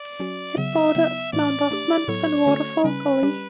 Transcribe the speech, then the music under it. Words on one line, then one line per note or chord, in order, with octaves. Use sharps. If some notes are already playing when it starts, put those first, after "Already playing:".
It borders Mount Osmond and Waterfall Gully.
Already playing: D5
F#3 C#4 F#4
C#3 F#3 B3 E5
C#3 F#3 B3
A2 E3 A3 D5
A3 D4 G4
A2 F#3 B3 E4 A4 C#5
D3 A3 C#4 F#4 A4
C#3 G3 C#4 B4
G3 C#4 G4